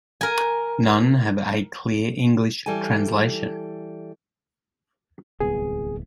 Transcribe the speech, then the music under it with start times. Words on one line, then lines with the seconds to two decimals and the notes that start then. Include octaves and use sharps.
None have a clear English translation.
0.21 A#4 G#5
2.66 E3 G3 A4 G#5
5.40 D1 C2 B3 G#4